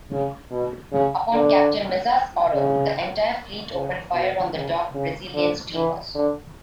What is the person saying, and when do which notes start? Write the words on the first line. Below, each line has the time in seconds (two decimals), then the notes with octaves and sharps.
Upon Captain Meza's order, the entire fleet opened fire on the docked Brazilian steamers.
0.12 C#3
0.51 B2
0.92 C#3
1.32 D3
2.53 C#3
3.74 C#3
4.13 B2
4.55 C#3
4.94 C#3
5.34 D3
5.75 E3
6.15 D3